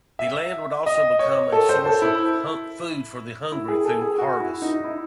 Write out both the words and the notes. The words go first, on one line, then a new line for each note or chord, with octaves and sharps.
The land would also become a source of food for the hungry through harvests.
E5
D#5
C#5
A4
C5
A4
E4
E4
G#4
A4
G#4
F#4
E4
D#4
E4